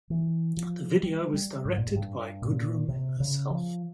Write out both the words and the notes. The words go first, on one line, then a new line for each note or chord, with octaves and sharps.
The video was directed by Goodrem herself.
E3
F3
G3
G3
G#2
A#2
G#2
G2
A#2
C3
C#3
F3